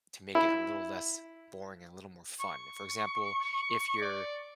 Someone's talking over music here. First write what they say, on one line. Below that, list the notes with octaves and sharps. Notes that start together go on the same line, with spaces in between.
to make it a little less boring and a little more fun. For example, if you're
E4
C#6
D5